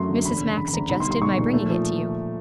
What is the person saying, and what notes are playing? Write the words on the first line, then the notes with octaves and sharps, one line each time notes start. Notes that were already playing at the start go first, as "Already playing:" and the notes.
Mrs. Max suggested my bringing it to you.'
Already playing: F#2 F#3 A3 C6
D3
E1 B5
C#3
E1 B5
B5
D2 A#5
B1 B5
C6
G3
C6
B1 C#6
A#2
A3
F3